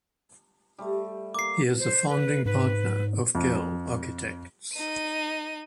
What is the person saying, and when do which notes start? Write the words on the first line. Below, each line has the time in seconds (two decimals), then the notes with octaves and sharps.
He is a founding partner of Gehl Architects.
0.78 G3 A3
1.34 A#3 D6 C7
1.79 C5
2.09 B4
2.46 G#2 B4
3.35 F2
4.73 D#4 D#7